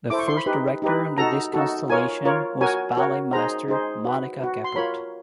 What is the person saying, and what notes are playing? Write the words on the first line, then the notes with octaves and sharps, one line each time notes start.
The first director under this constellation was ballet master Monika Geppert.
E4 A4 C5 D6
C#6
C6
B5
D#4 G4 B4
D#4 G4 B4
D#4 F#4 A4 A#5
D#4 F#4 A4
F4 A#4 C#5 G#5
F4 A#4 C#5
F#4 A#4 C#5 G#5
F#4 A#4 C#5
D#4 G#4 C5 A#5
D#4 G#4 C5
F#4 B4
F#4 B4
C6
F4 A#4 C#5 B5